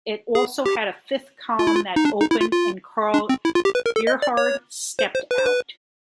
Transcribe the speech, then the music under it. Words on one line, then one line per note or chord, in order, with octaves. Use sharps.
It also had a fifth column that opened and Karl Gerhard stepped out.
G#4
G4
F4
E4
F4
D#4
D4
D#4
E4
F4
F4
D4
C4
E4
F4
G4
B4
A#4
A4
D#5
D5
C#5
C5
C5
B4
C5
B4